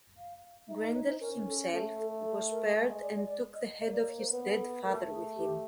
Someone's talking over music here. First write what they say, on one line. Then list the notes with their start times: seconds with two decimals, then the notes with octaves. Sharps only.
Grendel himself was spared and took the head of his dead father with him.
0.17 F5
0.68 D#4 E5
0.81 D#5
0.95 C#5
1.08 C5
1.21 C#4 A#4
1.47 A4
1.72 A3 A4
1.99 A4
2.24 A4
2.51 A#4
2.76 G#3 E5
2.89 D#5
3.02 D5
3.15 D5
3.28 D5
3.54 D#5
3.80 A#3 D#5
3.87 C#5
3.93 D5
4.07 C#5
4.18 C5
4.32 B3 B4
4.58 A4
4.84 A3 A#4
5.10 G#4
5.36 G4